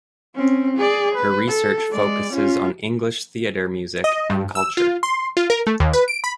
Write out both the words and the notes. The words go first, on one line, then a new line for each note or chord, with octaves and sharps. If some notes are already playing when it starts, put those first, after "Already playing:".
Her research focuses on English theater music and culture.
C4 C#4
G#4 D5
B4
A4
G#3 D5
C#4 F4
D#5
G2
E6
F4
C6
F4
A#4
A3
D#2
B4
D7
B5